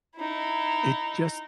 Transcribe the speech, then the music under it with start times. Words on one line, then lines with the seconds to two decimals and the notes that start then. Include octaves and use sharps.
It just
0.16 D#4 E4